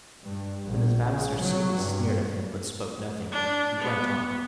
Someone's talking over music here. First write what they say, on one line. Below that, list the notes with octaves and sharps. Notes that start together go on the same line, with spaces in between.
Then, as Vavasor simply sneered at him, but spoke nothing, he went on.
G2
A#1
C#3
F#3
G2
D4
B3